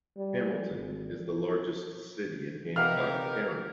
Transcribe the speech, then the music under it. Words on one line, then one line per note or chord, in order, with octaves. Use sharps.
Hamilton is the largest city in Hancock County.
G3
G#1
C3 D#4 G4 A#4 B4 F5 F#5 F6